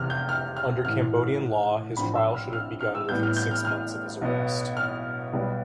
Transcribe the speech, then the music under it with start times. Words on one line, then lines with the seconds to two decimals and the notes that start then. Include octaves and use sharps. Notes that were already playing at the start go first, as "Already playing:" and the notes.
Under Cambodian law his trial should have begun within six months of his arrest.
Already playing: F1 E2 C3 F6
0.10 G6
0.29 F6
0.57 F6
0.84 A1 A2 E3 F6
1.97 A1 G2 F3 C4 B5
2.16 E6
2.34 F6
2.53 F6
2.81 F6
2.95 E6
3.09 A1 A2 G3 B3 G6
3.23 F6
3.37 G6
3.51 F6
3.65 F6
4.21 B1 B2 B3
4.77 F6
5.33 B1 B2 G3 B3